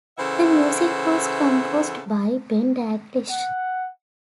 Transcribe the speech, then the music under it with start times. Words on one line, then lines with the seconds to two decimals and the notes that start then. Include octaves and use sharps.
The music was composed by Ben Daglish.
0.18 C#3 E3 A4 C5 E5 F#5
3.30 F#5